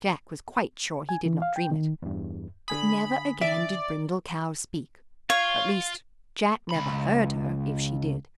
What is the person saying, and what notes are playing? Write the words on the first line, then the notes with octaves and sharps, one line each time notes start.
Jack was quite sure he did not dream it, but never again did Brindle Cow speak--at least, Jack never heard her if she did.
G#5
E3
F5
G5
D#3
E2 G2
D3 G#5 B5 D#6
D5 E5
F4 C#5 F5
C#2 B5